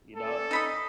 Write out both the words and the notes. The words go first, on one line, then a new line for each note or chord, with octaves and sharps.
you know?
C#4 A4
D#4 B5 D#6